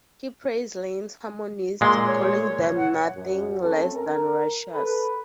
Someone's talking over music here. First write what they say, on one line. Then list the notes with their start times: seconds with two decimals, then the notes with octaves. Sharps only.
He praised Lynne's harmonies, calling them nothing less than righteous.
1.81 A#2 G#3 C6
2.07 C#5
2.77 F#5
3.15 F#2
3.62 A3 C4 C#4 A4
3.95 A#4
4.73 A4 B4